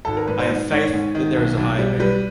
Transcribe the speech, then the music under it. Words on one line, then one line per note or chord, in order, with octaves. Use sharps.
I have faith that there is a higher being.
G#1 A4
A#4
G#2 B4
C5
G#2
G#2 C#5
G#2
D#3
B1
B1
G3
G3 B4